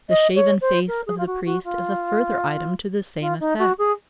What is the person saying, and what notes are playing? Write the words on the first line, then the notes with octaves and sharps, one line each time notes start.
The shaven face of the priest is a further item to the same effect.
D#5
C#5
C5
A#4
G#4
F4
F#4
F#4
F4
F4
D#4
F#4
G#4